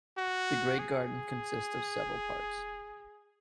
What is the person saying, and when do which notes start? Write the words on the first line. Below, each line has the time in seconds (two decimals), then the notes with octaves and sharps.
The Great Garden consists of several parts.
0.18 F#4
0.79 G#4